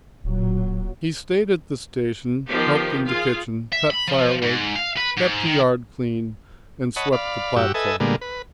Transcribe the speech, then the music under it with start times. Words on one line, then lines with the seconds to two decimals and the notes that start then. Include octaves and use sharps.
He stayed at the station, helped in the kitchen, cut firewood, kept the yard clean, and swept the platform.
0.24 D1 A#2 F#3
2.48 D#3 F3 B3 F4 G4
3.07 F4 G#4 F5
3.72 E5
3.91 B5
4.08 F3
4.42 G#2
4.76 F5
4.97 B4
5.17 G#2
5.46 D#3
6.96 C#5 D#5 F#5 A5 B5
7.13 D5 F5 B5
7.56 G2 F#4 G4 E6
7.74 A4 B4 D#5 E5 G#5
8.00 A#2 D3 G3 G#3 A#3 B3
8.21 B4